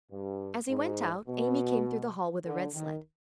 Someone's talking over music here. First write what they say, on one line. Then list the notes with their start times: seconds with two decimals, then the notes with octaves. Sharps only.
As he went out Amy came through the hall with a red sled.
0.11 G2
0.69 G#2
1.28 B2
2.46 D3
2.74 D#3